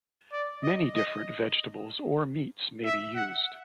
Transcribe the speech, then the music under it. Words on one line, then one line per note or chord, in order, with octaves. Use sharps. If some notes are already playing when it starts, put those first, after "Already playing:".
Many different vegetables or meats may be used.
D5
D#5
D#5
E5
F#5